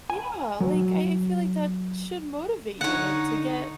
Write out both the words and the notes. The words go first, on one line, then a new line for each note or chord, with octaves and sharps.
Yeah, like, I I feel like that should motivate you, like, to get,
G#5
F#3
D3 D#4 C#5 F#5